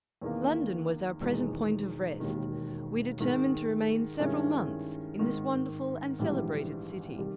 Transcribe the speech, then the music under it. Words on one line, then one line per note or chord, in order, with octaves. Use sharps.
London was our present point of rest; we determined to remain several months in this wonderful and celebrated city.
E2 D#3 A#3
E1 E2 D#3 G#3 D#4
E1 D#2 D#3
G#2 D#3 G#3 D#4
G2 D#3 G#3 C#4 E4
G#1 G#2 D#3
A#1 G#2 E3 G3
D#3 G3